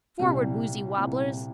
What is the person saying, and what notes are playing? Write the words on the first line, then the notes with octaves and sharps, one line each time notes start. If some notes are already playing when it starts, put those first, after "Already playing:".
Forward, woozy wobblers!
C2 A#2 G3 C4 E4
C2 A#2 G3 C4 E4